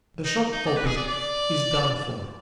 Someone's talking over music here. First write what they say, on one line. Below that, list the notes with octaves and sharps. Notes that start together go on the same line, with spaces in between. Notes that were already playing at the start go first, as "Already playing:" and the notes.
The shop opposite is done for.
D#4
D#4
D5
B4
G#4
D5
D5